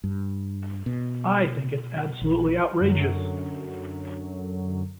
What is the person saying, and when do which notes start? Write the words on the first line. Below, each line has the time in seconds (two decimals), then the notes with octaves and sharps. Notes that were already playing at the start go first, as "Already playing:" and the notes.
I think it's absolutely outrageous.
0.04 G2
0.86 B2
2.22 A#1
2.78 F#2 D3 F#3